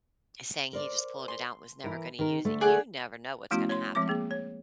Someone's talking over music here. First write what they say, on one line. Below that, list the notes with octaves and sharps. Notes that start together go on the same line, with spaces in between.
saying he just pulled it out, and was never gonna use it, you never know what's gonna happen.
A#4 C5 D5
C6
E3 E4 A#4
D#3 A#4
D2 A3
G#4 D5 F#5
F3 A3 B3 C#4 E4 F#4
C#5 C6
F3 G#3 C4 D6
A#3 G#4
C#5